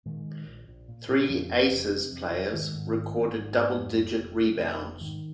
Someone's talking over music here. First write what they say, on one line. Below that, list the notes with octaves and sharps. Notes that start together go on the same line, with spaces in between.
Three Aces players recorded double digit rebounds.
A#2 D#3 G#3
A#2
A#1
A#1
A#2
A#2
F2 F3
F1
F1
C3
F2
F1
G#2 D#3 G#3
G#2
G#1
G#1
G#2
G#2
F2
F1
F1
C3
F2
F1
G#2 D#3